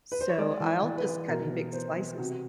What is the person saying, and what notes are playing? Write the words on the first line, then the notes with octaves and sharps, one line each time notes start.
so I'll just cut in big slices.
B4
C5
C#5
G#3 D5
E3
E3
B4
E3
B2 A#4
B3
B3 C5
B3
C3 F#4